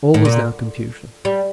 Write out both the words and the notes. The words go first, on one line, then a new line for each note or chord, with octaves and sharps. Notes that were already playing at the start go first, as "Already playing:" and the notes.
All was now confusion.
A2
A#2
G3